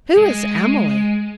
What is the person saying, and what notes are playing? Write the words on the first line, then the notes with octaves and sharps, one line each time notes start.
"Who is Emily?"
G#3